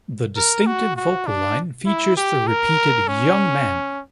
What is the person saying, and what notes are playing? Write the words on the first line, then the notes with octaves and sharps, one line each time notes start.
The distinctive vocal line features the repeated Young man!
A#4
F#4
F#4
D4
E4
G4
A#4
C#4